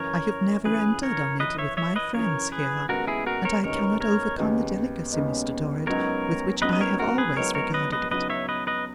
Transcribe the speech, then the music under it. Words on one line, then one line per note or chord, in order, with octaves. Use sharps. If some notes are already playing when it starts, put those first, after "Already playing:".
I have never entered on it with my friends here; and I cannot overcome the delicacy, Mr Dorrit, with which I have always regarded it.
Already playing: F#2 C#3 E3 A#4 C#5
F#2 C#3 E3 G#4 B4
A#4 C#5
F#2 C#3 E3 B4 D#5
C#5 E5
C#5 E5
B4 D#5
F#2 C#3 E3 A#4 C#5
G#4 B4
D#2 C#3 G#3 B3 D#4 F#4 A#4
E4 G#4
F#4 A#4
A#4 C#5
D#2 C#3 G#3 B3 D#4 A#4 C#5
A#4 C#5
D#2 C#3 G#3 B3 D#4
D#2 C#3 G#3 B3 D#4
C#2 C#3 F#3 B3 D#4 A#4 C#5
C#2 C#3 F#3 B3 D#4 B4 D#5
D#5
A#4 C#5
F#4 A#4
G#4 B4
C#2 C#3 F#3 B3 D#4 A#4 C#5
A#4 C#5
B4 D#5
B4 D#5
C#2 C#3 F#3 B3 D#4 B4 D#5
C#5 E5
B4 D#5
B4 D#5